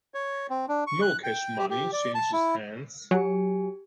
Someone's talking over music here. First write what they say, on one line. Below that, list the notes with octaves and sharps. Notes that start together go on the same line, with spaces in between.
No cash money changes hands.
C#5
C4
D4
C#6
F#6
G5
G4
G4
D5
A5
E4
F#3 G4 G#5